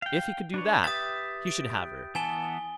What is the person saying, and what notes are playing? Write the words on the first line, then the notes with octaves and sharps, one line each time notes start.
If he could do that, he should have her.
F5 G5
D4 B4 C#5
G4 B4 E5 D#6 A6
D7
E3 B3 G#5 A5 G7